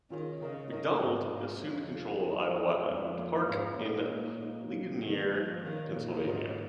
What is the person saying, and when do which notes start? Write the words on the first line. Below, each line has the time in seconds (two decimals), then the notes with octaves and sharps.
Macdonald assumed control of Idlewild Park in Ligonier, Pennsylvania.
0.10 D#3 C#4 F4 G#4 C#5
0.41 C#3 C#4 A#4 D#5
0.72 C#3 C#4 A#4 D#5
1.03 G#2 C#4 A#4 D#5
1.33 G#2 A#3 F4 G#4 C#5 F5
1.64 F2 D#4 C#5 F5
1.95 F4 G#4 F5
2.25 G#3 D#4 A#4 D#5
2.56 D#4 G#4 D#5
2.86 F2 G#3 C#4 G#4 F5
3.18 A#3 F4 C#5 F5
3.48 G#2 C#4 G#4 C#5 F5
3.79 A#2 A#3 C#4 G#4 D#5
4.10 D#4 A#4 C#5 F5
4.41 G#3 D#4 C#5 F5
4.71 D#4 C#5 F5
5.01 D#3 D#4 G#4 D#5
5.32 F3 A#3 D#4 G#4 D#5
5.63 D#3 C#4 A#4 C#5 F5
5.94 A#2 D#4 C#5 F5
6.24 G#2 C#4 F4 A#4 D#5